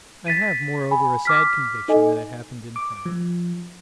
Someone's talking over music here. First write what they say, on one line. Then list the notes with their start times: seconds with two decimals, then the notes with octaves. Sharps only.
I have, moreover, a sad conviction that it happened in France.
0.27 A6 B6 D#7
0.91 G#5 B5
1.25 D6 F6 B6
1.88 D#4 A4 D#5 G#5
2.76 D6
3.05 F3